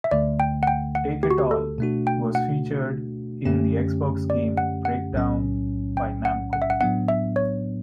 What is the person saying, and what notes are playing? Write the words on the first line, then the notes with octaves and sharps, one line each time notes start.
"Take it All" was featured in the Xbox game "Breakdown" by Namco.
E5
D2 D3 A3 D5
G5
F#5
G5
F#5
G4
F#4
G4
A4
B2 A3 D4 F#4
G5
F#5
F#2 D3 A3 C#4 G4
D5
F#5
F#5
B1 A2 F#3 C#4
G5
F#5
F#5
E5
F#5
A2 F#3 B3 D4 F#5
E5
C#5